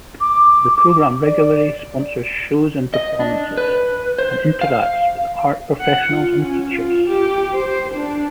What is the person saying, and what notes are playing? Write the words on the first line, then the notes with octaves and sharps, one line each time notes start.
The program regularly sponsors shows and performances, and interacts with art professionals and teachers.
D6
D5
D#5
D4
B4
C5
F5
F#5
F4
C#4
F4
G4
C5
D4